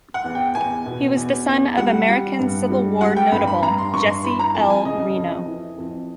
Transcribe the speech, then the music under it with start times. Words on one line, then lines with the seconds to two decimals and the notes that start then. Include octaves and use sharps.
He was the son of American Civil War notable Jesse L. Reno.
0.14 F#5
0.24 E2
0.35 G5
0.55 E2 G#5
0.86 B2
1.17 E2
1.47 E2
1.77 G3 F#5
2.09 G3
2.39 G2
2.70 G3
3.01 G3 F#5
3.17 G5
3.32 G2 B5
3.48 B5
3.62 G2 A#5
3.78 C6
3.93 G2 C#6
4.09 C6
4.24 E3 B5
4.39 A#5
4.55 F2 A5
4.70 G#5
4.85 C#3 D#5
5.16 F2
5.47 E3
5.78 F2